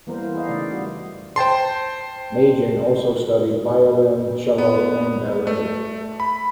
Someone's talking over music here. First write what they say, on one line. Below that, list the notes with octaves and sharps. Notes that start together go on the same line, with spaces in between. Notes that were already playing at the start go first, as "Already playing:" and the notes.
Magin also studied violin, cello and ballet.
E3 G3 A#3 B3 A#4 C5
E4
G#4 D#5 F5
C#3 A3 D#4 D5
G3 F#4
C5 G5 A5 C6
B3
A3
B5